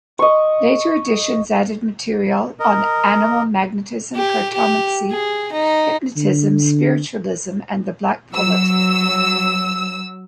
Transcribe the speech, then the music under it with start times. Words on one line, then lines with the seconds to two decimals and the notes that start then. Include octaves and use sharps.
Later editions added material on animal magnetism, cartomancy, hypnotism, Spiritualism, and "The Black Pullet".
0.19 D#5 C#6
2.60 A#4 D#5
4.16 G4
4.53 G4
5.11 G#4
5.52 D#4
6.17 D3
8.32 F#3 E6